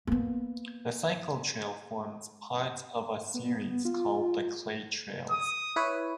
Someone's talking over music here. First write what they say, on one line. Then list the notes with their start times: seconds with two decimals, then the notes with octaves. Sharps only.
The cycle trail forms part of a series called the Clay Trails.
0.07 A#3 B3
3.34 B3
3.85 F4
5.31 D#6
5.76 E4 B4 C#5